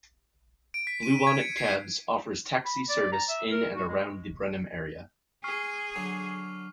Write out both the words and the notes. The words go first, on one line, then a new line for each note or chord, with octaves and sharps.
Bluebonnet Cabs offers taxi service in and around the Brenham area.
D7
B6
D#7
G#6
C#7
C7
B5
D5
A#5
E5
A#4
F#4
G#3
G#4 C#6 F6 C7
D3 F#3